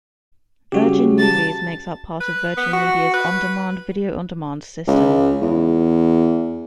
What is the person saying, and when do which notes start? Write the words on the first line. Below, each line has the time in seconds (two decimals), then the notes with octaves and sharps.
Virgin Movies makes up part of Virgin Media's "On Demand" video on demand system.
0.72 C#3 G3 F#4 G4
1.19 A5 A6
2.21 B4
2.57 B3
2.73 F#4
3.14 B4
4.87 C#2
5.41 E2